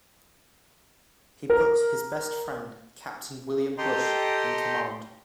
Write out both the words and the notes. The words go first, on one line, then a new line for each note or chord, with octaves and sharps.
He puts his best friend, Captain William Bush, in command.
A#4
G4 A4 D#5 G5 A#5 C6